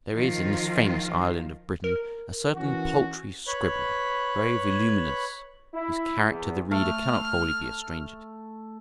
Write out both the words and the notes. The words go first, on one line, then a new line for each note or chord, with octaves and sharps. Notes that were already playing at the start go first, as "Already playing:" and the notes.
There is in this famous island of Britain a certain paltry scribbler, very voluminous, whose character the reader cannot wholly be a stranger to.
D#3 F3 F4
A#4
E3 C#4 F#4
B4 C#5 B5
E4
E2
A3 F6